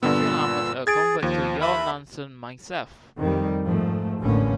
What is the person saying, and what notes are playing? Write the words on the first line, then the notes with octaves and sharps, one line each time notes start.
I feel almost a convert to your nonsense myself.
G2 A#2 D3 B3 E6
G#4 G#6 A6 D7
D#2 F3
E5 B5
F2 D#3 G3
G#2 F3 A3
A1 E2 A2 D3 A#3 C#4